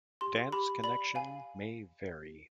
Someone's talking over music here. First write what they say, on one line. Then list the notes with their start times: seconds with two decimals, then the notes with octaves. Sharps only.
Dance connection may vary.
0.21 G4 C6
0.52 G4 B5
0.84 D5 B5
1.15 F5 G#5